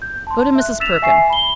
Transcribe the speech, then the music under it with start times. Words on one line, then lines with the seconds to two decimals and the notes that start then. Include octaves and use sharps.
Go to Mrs. Perkin.
0.02 G6
0.27 A5 C6
0.55 E5 F#6
0.80 E6 A6 B6 E7 F7
1.02 E5 G#5 C#6 C7
1.30 B5 G7